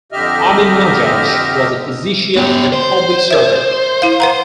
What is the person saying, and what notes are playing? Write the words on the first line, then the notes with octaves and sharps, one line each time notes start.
Amin Majaj was a physician and a public servant.
F2 D3 G4 D#5 E5 F6
B3 G4
C5
A#4 E5
E4 F5
B4 F#5 A#5